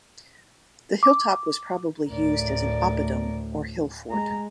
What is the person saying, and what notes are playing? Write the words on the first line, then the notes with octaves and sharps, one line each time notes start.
The hilltop was probably used as an "oppidum" or hill fort.
D6
D2 A2 A#4 D5
G#3 A#5